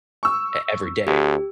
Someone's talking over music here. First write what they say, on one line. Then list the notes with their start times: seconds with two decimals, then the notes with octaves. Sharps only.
e every day.
0.23 C#6 E6
1.07 D2 G4